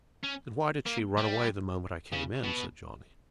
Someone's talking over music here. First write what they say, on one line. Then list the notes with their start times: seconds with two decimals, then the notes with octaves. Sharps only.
"Then why did she run away the moment I came in?" said Johnny.
0.23 C#4
0.86 A#3
1.17 G3
2.12 C#3
2.44 B2